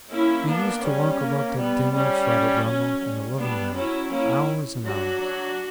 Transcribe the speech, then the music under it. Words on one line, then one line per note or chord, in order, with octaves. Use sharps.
We used to walk about that dim old flat at Yarmouth in a loving manner, hours and hours.
A#3 C#4 E4
A#3 B3 D4
G3 C#4
A#3
G3 B3
G3 C#4
F#3
G3
G3 B3 D4
F#3 C#4 E4
A#3 C#4 E4
F#3 D4 F#4
F#3